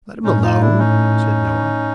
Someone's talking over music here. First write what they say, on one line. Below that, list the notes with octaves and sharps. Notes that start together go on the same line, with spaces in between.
'Let him alone!' said Noah.
A2 C#4 D#4
D#4 F4
D4 E4
C#4 D#4